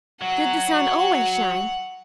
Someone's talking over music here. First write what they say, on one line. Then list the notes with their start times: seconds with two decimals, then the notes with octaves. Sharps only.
Did the sun always shine?
0.22 F#3 F#5